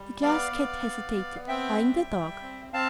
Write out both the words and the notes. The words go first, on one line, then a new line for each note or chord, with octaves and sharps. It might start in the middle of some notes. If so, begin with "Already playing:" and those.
The Glass Cat hesitated, eyeing the dog.
Already playing: G3
B3 D5 F5
B3
B3
B3
C4 E5 G5
G3
G3
C4
C4 F5 A5